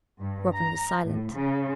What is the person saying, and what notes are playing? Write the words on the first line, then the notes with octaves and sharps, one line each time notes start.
Robin was silent.
G2
A#5
A2
C#3